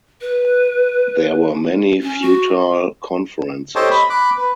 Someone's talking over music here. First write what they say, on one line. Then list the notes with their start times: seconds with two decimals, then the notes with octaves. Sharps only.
There were many futile conferences.
0.21 B4
2.02 C#4
2.22 F#4
3.75 G4 A4 C5 C#5 D#5 A5
3.91 D#5 B5
4.10 B5 D6 F#6
4.38 B4